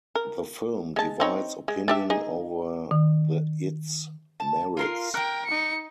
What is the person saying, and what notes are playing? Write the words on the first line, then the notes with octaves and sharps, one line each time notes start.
The film divides opinion over the its merits.
A#4
G#3 A5
C4 D#4 C#5
G#3
D4 G4 E5
D#4 G#4
D#3
A5
F4 A#4 C6
A#4 G5 F#6
D#4 C#7